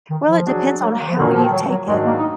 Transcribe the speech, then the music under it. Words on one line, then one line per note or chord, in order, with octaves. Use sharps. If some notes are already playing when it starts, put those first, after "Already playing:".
Well, it depends on how you take it.
D#3
F3
F#3 D4 G#4
F#3
A#3
D#3
F3
A#2 D3 F#3 A#3
D#3
F3
D#3
F#3
F#3
G#2 D#3 F#3 G#3 D4
A#3
D#4